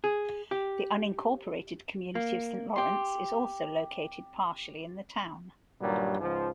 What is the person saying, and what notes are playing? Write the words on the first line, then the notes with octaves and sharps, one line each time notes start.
The unincorporated community of Saint Lawrence is also located partially in the town.
G#4
G4
A#3
G4 C6
G2 A#2 D#3 F#3 G3
C#2 G#2 F3